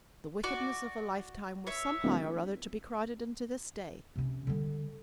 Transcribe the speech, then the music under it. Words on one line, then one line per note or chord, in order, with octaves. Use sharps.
The wickedness of a lifetime was somehow or other to be crowded into this day.
F#4 D5
C#5 E5
D1
C3 C#4
D3 G3